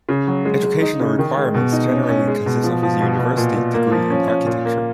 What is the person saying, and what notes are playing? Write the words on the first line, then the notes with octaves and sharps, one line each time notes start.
Educational requirements generally consist of a university degree in architecture.
C#3
F#3
G#3
G#3
D#4
C#3
D#3
G#3
B2
D#4
C#4
C#4
G#3
B2
F3
F3
B2
B2
A#2
A#2
A#3
F3
C#4
C#4
A#2
A#3